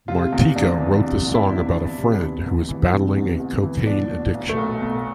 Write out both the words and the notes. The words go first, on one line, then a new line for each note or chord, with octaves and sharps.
Martika wrote the song about a friend who was battling a cocaine addiction.
C3 F4
E2
E2 D4
E3
C3 D4
E2
E4
E2
D4
E3
C3
E2
E2
E3
C3
E2
E2
E3
B2 D4
B2
B1
A3
B1
B2